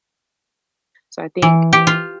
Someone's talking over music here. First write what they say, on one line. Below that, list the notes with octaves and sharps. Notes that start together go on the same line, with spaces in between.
So, I think
E3
G4
F4